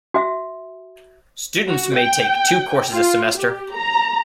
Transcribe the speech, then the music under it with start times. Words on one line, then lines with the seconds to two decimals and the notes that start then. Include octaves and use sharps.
Students may take two courses a semester.
0.14 F#4 E5
1.67 F#4
1.96 G5
2.92 F4
3.37 G4
3.75 A#5